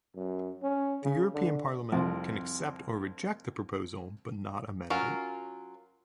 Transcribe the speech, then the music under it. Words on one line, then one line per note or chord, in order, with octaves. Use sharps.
The European Parliament can accept or reject the proposal but not amend it.
F#2
C#4
C#3
D3
C2 F2
F#3 C#4 F4 A#4